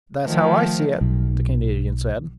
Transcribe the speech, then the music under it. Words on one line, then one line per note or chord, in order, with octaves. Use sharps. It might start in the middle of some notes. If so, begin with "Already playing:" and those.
"That's how I see it," the Canadian said.
D#3 F3 A3
B1